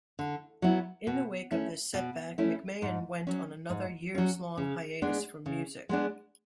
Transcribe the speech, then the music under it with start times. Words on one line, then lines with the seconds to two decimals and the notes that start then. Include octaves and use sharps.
In the wake of this setback, McMahon went on another years-long hiatus from music.
0.19 D3
0.62 F#3 B3 E4
1.07 B2
1.51 A3 C#4 E4
1.94 B2
2.38 A3 C#4 E4
2.82 G#2
3.27 F#3 C#4
3.70 G#2
4.15 F#3 C#4
4.58 C#3
5.02 G#3 B3 D4
5.46 C#3
5.89 G#3 B3 D4